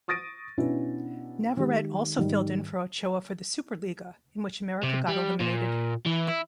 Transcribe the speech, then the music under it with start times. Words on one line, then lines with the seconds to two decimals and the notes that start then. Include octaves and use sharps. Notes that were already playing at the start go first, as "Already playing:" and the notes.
Navarrete also filled in for Ochoa for the SuperLiga, in which America got eliminated.
0.08 C#6 D#6 A6 A#6 D7 D#7
0.58 B2 B3 C#4 D4 E4
1.57 D#3 G#3 G4
2.17 G#2 D#3 G3
4.83 C3
5.08 G3
5.40 A#2
6.06 E3
6.28 E4